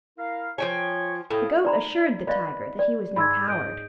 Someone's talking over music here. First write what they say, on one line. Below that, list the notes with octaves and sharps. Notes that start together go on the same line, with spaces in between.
The goat assured the tiger that he was no coward.
E4 A#4 F5
F3 C#5 G5 G#5
A2 F5 G5 D#6
D#4 D5 A#5 B5
B4 D5 D#5 F5
D5
G#2 B5 E6 G#6
G#4 D#5 G6 D7